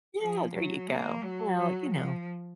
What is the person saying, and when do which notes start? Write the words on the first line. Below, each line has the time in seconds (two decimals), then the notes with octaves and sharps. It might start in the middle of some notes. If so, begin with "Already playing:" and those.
Yeah. There you go. Well, you know,
0.20 F3
0.54 F#3
0.89 A#3
1.23 F#3
1.58 F#3
1.94 F3